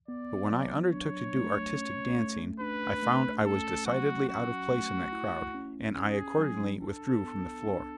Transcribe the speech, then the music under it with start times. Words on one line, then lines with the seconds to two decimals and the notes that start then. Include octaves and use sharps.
But when I undertook to do artistic dancing, I found I was decidedly out of place in that crowd, and I accordingly withdrew from the floor.
0.08 B3 D5
0.50 F#3
0.92 D4 C#5
1.35 A3
1.77 C#4
2.18 A3
2.60 D4 B4
3.03 A3
3.44 C#4 A4
3.86 F#3 F#4
4.28 C#4 F#4
4.71 A3
5.12 E4
5.54 C#4
5.96 C#4 G#4
6.38 F#3
6.80 D4 A4
7.23 B3
7.64 D4